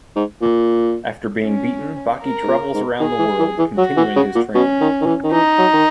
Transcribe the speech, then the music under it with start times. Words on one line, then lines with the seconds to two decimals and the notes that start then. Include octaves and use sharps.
After being beaten, Baki travels around the world continuing his training.
0.16 G#2
0.41 A#2
1.44 C#4
2.22 A#4
2.43 G#2
2.48 A#2
2.74 G#2
2.99 D#3 G#4
3.19 E3
3.39 E3
3.58 E3
3.77 F#3 F#4
3.97 E3
4.16 C#3
4.35 A#2
4.54 B2 C#4
4.81 D#3
5.01 D#3
5.06 E3
5.23 D#3
5.32 E3 D#4
5.58 F#3
5.73 D#3